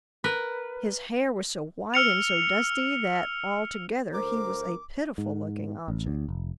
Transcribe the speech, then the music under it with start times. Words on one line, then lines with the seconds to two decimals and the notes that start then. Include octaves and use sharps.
His hair was so white and so dusty that altogether he was a pitiful-looking object.
0.24 A#4 B4
1.94 E6 F6 C#7 F7
4.14 D2 A#4 C5 D6
5.18 G#2
5.88 A1
6.07 D2
6.29 F1